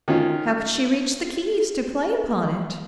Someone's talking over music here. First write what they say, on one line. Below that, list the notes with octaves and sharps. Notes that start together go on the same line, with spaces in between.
How could she reach the keys to play upon it?
D#3 C#4 F4